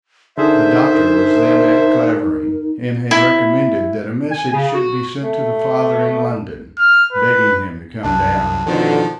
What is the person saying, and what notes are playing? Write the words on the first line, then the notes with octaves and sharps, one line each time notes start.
The doctor was then at Clavering, and had recommended that a message should be sent to the father in London, begging him to come down.
D3 D#4 G#4 A#4 C5 E5
E4
G#5
C#3
F#4
A3
F6
B4
C2 F#2 A5 F#6
F2 B2 D3 D#3 F3